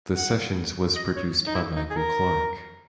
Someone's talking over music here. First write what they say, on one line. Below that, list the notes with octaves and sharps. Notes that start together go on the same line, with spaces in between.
The sessions was produced by Michael Clark.
F#5
D#5
C#5
D#4
E4
D#4
G#4
A#4